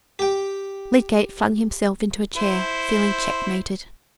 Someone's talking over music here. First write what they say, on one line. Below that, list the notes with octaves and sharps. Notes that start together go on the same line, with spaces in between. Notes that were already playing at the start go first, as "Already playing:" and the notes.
Lydgate flung himself into a chair, feeling checkmated.
G4 G5
E4 C5